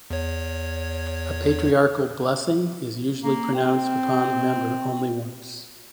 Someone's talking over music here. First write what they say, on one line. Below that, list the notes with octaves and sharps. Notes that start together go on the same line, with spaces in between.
A patriarchal blessing is usually pronounced upon a member only once.
E2 C#5
A#3
C4